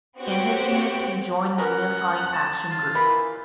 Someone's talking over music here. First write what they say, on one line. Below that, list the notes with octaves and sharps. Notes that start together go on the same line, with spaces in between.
In his youth he joined the Unifying Action Groups.
B3 C4 F#4 G4 C#5 G5
B3 C#4 A#4 F#5
A5
F4
E3 A#3 B5